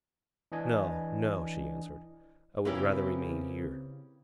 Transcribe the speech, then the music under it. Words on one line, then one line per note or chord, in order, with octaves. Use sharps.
"No, no," she answered, "I would rather remain here."
E3 D4 D#5 G#5
C#3 A#3 C4 C#4 E4 G4 B4